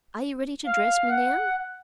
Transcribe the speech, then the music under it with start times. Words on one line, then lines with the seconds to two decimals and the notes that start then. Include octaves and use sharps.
"Are you ready to dress me now?"
0.67 F5
1.10 F#5